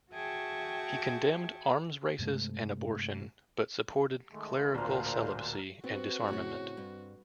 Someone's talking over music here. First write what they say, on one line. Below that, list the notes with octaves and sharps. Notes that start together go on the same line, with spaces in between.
He condemned arms races and abortion, but supported clerical celibacy and disarmament.
F#4 G#4 E5 G5 A5 C#6
G2 C3 G#3 A3
D#3 G#3 A3
D1 A#2 D4 A#4 C5
B3 C4 F#4
A2 C#3 C#5
G2